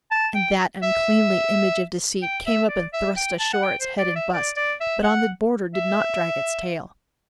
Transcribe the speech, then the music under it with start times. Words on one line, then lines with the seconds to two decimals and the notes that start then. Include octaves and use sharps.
And that uncleanly image of deceit Came up and thrust ashore its head and bust, But on the border did not drag its tail.
0.12 A5
0.35 G5
0.83 E5
2.23 G5
2.47 E5
2.69 D5
2.93 E5
3.17 G5
3.40 A5
3.53 F#5
3.64 G5
3.81 C5
3.99 D5
4.16 E5
4.34 D5
4.57 D5
4.81 E5
5.03 F#5
5.75 E5